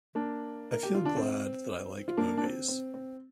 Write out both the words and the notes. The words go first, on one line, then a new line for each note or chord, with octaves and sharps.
I feel glad that I like movies.
A#3 D4
A#4
G4
F4
D4
C4
F4
A#3 D4
D4
C4
C4
C4